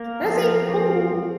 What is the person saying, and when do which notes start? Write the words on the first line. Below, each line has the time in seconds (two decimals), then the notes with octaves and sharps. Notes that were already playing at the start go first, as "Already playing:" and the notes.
That seems cool.
Already playing: A#3 A#4
0.21 F3 C4
0.69 F3 C4